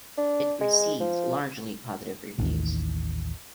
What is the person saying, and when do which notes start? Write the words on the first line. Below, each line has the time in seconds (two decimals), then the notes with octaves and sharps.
It received largely positive reviews.
0.18 D4
0.61 G#3
1.00 F3
2.39 A1 D#2